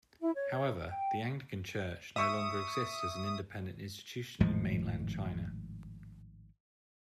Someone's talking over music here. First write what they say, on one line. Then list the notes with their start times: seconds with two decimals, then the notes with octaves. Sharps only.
However, the Anglican Church no longer exists as an independent institution in mainland China.
0.21 E4
0.36 C#5
0.89 G5
2.16 E5 C#6 D#6 E6
4.40 G#1 A2 F3 G#3